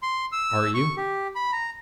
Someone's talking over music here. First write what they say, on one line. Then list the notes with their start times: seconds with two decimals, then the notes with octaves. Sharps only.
"Are you?"
0.03 C6
0.32 E6
0.74 C#6
0.97 G4
1.35 B5
1.52 A#5